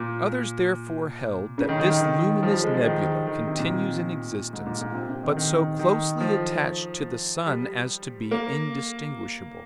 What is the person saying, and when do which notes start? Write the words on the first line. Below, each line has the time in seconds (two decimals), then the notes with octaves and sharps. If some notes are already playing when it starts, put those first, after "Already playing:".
Others, therefore, held that this luminous nebula continues in existence, but so closely attached to the sun as to be indistinguishable.
Already playing: A#2
1.58 C#3
1.69 D#3
1.80 D#3
1.90 D#3
2.00 D#3
2.43 F3
2.54 G3
2.64 G#3
2.74 F3
2.85 D#3
3.27 D#3
3.47 C3
3.58 A#2
4.53 G#2
4.66 A#2
4.81 A#2
4.94 C3
5.09 C3
5.23 D#3
5.37 D#3
5.79 D#3
6.21 F3
7.47 G3
8.31 A#3